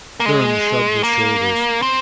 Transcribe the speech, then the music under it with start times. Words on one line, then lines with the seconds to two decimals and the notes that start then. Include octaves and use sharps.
Durham shrugged his shoulders.
0.20 A#3
0.26 G#3
1.03 A#3
1.82 C4